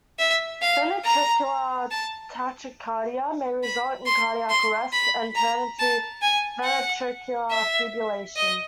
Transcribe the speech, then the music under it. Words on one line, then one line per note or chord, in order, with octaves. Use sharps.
Ventricular tachycardia may result in cardiac arrest and turn into ventricular fibrillation.
E5
F5
A#5
A5
B5
C6
C6
B5
A#5
A5
G#5
F#5
E5
D#5